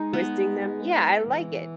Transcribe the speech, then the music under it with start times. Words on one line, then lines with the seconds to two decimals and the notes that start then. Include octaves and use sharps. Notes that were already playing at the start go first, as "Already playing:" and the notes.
twisting them yeah, I like it.
Already playing: G#3 D#4
0.13 B3
1.27 E3